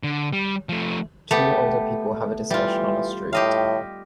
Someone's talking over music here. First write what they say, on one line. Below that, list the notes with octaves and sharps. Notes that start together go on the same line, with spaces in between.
Two older people have a discussion on a street.
D3
G3
F3 A3
A3 B3 G4
E3 G3 F4
A2 G4 D#5 F5